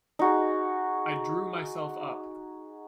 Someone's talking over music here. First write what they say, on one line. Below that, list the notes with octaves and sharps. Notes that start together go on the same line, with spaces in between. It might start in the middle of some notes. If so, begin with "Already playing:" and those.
I drew myself up.
D#4 F#4 G#4